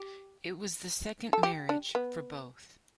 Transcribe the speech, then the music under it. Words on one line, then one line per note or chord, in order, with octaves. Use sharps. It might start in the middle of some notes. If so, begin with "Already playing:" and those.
It was the second marriage for both.
Already playing: G4
A4
G4
D4
B3